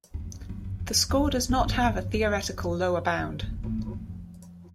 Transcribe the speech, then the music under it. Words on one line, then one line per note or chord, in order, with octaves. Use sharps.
The score does not have a theoretical lower bound.
E2
F2
F#2
G2
F#2
F2
F2
F#2
F2
E2
G#2
A2
G#2
G2
F2
E2
F2
F#2
F#2
G2
A2
A#2
A2
G#2
F2